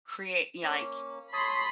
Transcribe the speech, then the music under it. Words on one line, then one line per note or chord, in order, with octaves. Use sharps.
create you know, like,
A#3 C#4
C#5 A5 B5 C6 D#6